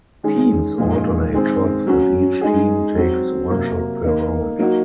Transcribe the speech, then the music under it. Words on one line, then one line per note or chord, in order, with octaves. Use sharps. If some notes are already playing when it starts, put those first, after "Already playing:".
Teams alternate shots and each team takes one shot per round.
D#3 G#3 C#4 G#4
A#2 F3 G#3 D#4
D#3 G#3 C4
F#3 C#4 F#4
G#3 D#4 G#4
F#3 C4 F#4
C3 F#3 A#3
D#3 A#3 D#4
F#3 A#3 D#4 F#4